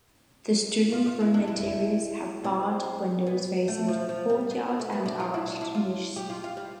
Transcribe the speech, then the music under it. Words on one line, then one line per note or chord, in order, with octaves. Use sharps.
The student room interiors have barred windows facing to the courtyard and arched niches.
F4
F4
E4
D4
E4
C4
B3
A3
F3
F3
G3
B3
A3
B3
D4
F4
E4
D4
E4
F4
G4
F4
F4
G3